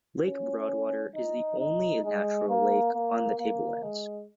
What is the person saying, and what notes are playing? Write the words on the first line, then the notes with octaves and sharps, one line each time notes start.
Lake Broadwater is the only natural lake on the tablelands.
C#4
D#4
D#4
G#3
A#3
A#3
A#3
G#3